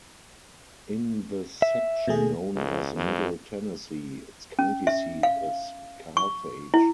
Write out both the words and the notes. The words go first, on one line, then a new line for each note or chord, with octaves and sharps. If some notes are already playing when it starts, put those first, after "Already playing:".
In the section known as Middle Tennessee, its county seat is Carthage.
E5
B2 A3 G#4
C#2
F2
C#4
E5
F5
C#6
E4